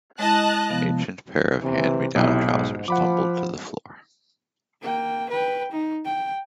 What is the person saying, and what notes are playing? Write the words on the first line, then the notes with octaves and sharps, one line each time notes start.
An ancient pair of hand-me-down trousers tumbled to the floor.
G#3 E4 D#5 A5 F#6
C3 F3 B3
C3 E3
B1 C3 E4
G#2
F3 F#5 B5 D6
A#3 G5
B4 G5
D#4
G5